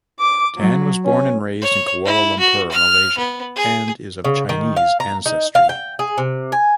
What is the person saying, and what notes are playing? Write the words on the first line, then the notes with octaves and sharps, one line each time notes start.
Tan was born and raised in Kuala Lumpur, Malaysia and is of Chinese ancestry.
D6
F#3
C#4
C#5
E4
F#4
F6
B3
G#4
C#3
D#3
F5
A#5
D#4
F5
G5
G#4
C3
G#5